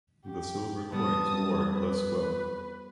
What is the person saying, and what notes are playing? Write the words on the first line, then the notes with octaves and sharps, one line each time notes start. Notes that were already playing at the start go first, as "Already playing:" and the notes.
The silver coins wore less well.
G4
G3 B3 A5 D#6
B4